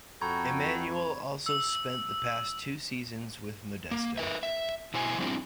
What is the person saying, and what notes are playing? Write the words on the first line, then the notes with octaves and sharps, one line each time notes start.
Emanuel also spent the past two seasons with Modesto.
F2 F#4 A4 G5 A#5 B5 C#6 G#6
E6
A#3
A#4 B4 E5
E5
B2 E4 C5 G#5
F3 G3 C4 D4 E4